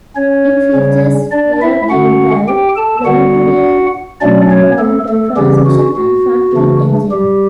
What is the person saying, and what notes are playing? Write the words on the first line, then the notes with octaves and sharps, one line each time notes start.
It features rear wheel drive, longitudinal-mounted transmission and front-mid engine.
C#4 C#5
C#3 G3 C#4
D4 D5
E4 E5
D3 A3 C#4 F#4 F#5
G4 G5
A4 A5
D3 G3 B3 F#4 F#5
B2 F#3 A3 C#4 D4 D5
C#4 C#5
A3 A4
A3 A4
C#3 E3 G3 C#4 G4
F#4
F#4
C#3 E3 A3 D4
G3 G4